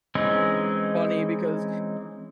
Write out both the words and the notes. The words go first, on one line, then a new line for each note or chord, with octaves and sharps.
funny because
E3 G#3 C4 C#4 D#4